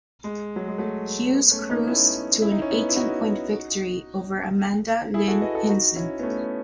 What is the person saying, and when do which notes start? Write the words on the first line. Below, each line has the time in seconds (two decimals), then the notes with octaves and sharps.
Hughes cruised to an eighteen point victory over Amanda Lynn Hinson.
0.24 G#3
0.56 F#3
0.68 G#3
0.78 F#3 A3
1.33 G#3 B3
1.51 A3 C#4
1.69 B3 D#4
1.87 C#4 E4
2.42 E4
2.52 D#4
2.62 C#4
2.71 B3 D#4
2.89 E4
2.96 D#4 F#4
5.14 E4 G#4
5.28 F#4 A4
5.41 B4 D#5
5.55 F#4 A4
5.69 D#4 F#4
5.96 C#4 E4
6.19 B3
6.23 A3 C#4